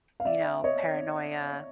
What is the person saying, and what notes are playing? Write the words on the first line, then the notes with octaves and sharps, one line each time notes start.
you know, paranoia,
F5
D5 E5
C#5 D#5